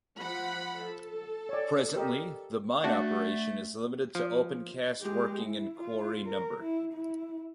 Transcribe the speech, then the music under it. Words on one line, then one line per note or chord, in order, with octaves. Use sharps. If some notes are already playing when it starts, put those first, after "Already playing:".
Presently the mine operation is limited to opencast working in Quarry no.
F3 F#5 B5
A4
C#5 D5
G4 A#4 D#5
A3 D4 F#4
F3
G#3 G4
E4
F4
A#4
E4
E4